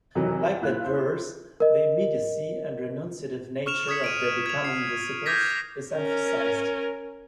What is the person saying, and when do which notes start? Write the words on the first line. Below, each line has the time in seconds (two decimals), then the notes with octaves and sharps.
Like that verse the immediacy and renunciative nature of their becoming disciples is emphasized.
0.15 F2 C3 D#3 E3 F#3
0.61 A#2 E4 F4 F#6
0.85 E4 C5
1.60 A#4 D#5
3.66 C#6 F6 E7 F7
3.88 C#6 D#6 G#6 B6 C#7
4.04 D7 D#7
4.46 G#6 F7
4.65 C7
5.26 D6 F6 G6 G#6 A#6 B6
5.94 C#4 A#4